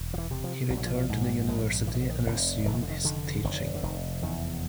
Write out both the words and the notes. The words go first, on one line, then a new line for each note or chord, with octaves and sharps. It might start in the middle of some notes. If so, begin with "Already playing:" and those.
He returned to the university and resumed his teaching.
Already playing: E1
F3
E3
C3
F3
A#1 F3
F#3
F3
F3
G#2
G3
A#1 G#3
A#1 E3
D#3
D3
D#3
F1 D3
F1 E3
D#3
D3
D#3
D3 D#3
F1 D#3
D3
F1 D#3
E2 D#3